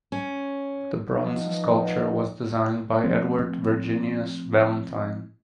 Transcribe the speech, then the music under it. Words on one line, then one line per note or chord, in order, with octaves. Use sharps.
The bronze sculpture was designed by Edward Virginius Valentine.
C#4
F3 B3 D#4
F3 A3 C4